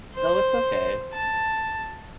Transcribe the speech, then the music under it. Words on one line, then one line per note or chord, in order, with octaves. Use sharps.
no, it's okay.
C5
A5